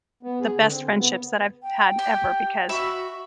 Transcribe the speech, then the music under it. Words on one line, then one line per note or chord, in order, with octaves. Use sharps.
the best friendships that I've had ever because,
B3
G#4
D3
C4
C#3
B3
G5
G4
F#4 E5 B5